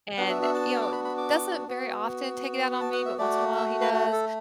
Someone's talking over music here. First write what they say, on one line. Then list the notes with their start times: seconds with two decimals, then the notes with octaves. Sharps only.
And, you know, doesn't very often take it out on me, but once in a while, he does.
0.17 B3 D4 F#4 F#5
0.29 E5
0.42 E5
0.54 A5
0.81 D6
0.92 B5
1.05 B5
1.18 D6
1.67 B3 F#4
2.73 F#5
2.81 A5
2.93 F#5
3.06 E5
3.18 A3 F#4 D5
3.56 E5
3.81 B4
3.93 F#4
4.12 A4